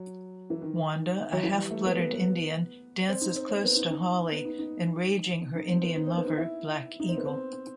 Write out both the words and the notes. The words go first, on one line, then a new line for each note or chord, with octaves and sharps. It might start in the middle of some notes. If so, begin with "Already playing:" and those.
Wanda, a half-blooded Indian, dances close to Hawley, enraging her Indian lover, Black Eagle.
Already playing: F#3
E3
D#3
F#3
E3
G3
A3
B3
B3
B3
C4
D#4
C4
C4
B3
D#4
D#4
B3
D#4
D#4
D#4
C4
B3
D#4
C4
B3
D#4
E4
D#4
C4
B3
C4